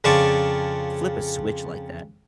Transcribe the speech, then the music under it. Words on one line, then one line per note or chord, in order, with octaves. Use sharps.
flip a switch like that.
F2 C#3 F4 D5 A5 C#6